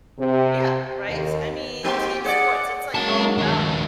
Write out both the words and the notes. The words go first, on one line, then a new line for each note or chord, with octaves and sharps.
Yeah, right? I mean, team sports, it's, like, all about
C3
D#2
G#2 A#3 C4 G4
G#4 C5 D5 F#5
F#3 G#3 A#3 C#4 D#4 A5
D#2 D4